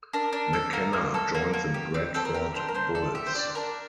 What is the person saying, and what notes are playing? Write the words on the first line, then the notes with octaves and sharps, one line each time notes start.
McKenna joined the Bradford Bulls.
D4 A#4
D4
A4
A#3 A#4
A#3
A4
A#3
A#3
G4
C4
C4 A4
A#4
G4
D4 C5
A#4
D4 C5
A4 D5
G4 E5
C5
D4 D5
D4 A#4